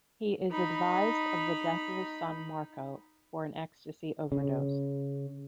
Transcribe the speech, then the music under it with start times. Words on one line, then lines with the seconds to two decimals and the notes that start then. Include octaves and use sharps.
He is advised of the death of his son Marco for an Ecstasy overdose.
0.51 D#4 B5
4.32 C#3